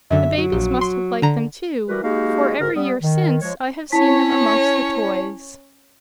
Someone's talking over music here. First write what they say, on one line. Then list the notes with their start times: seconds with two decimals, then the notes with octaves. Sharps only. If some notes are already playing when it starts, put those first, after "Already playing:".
The babies must have liked them, too, for every year since I have seen them amongst the toys.
0.11 F#2 D3 E5
0.37 F#3
0.52 A#1
0.81 C6
1.22 D3 A#5
1.89 E3 G3 F#4 G4 A#4 B4
2.03 G#3 A#3 D#4 F#4 G4 F5
2.60 G#2 D3 F#4 A#4
2.74 G3 B3
3.02 D#3
3.42 F3 G#3 C#5
3.92 C#4 E4 C#5 A5 B6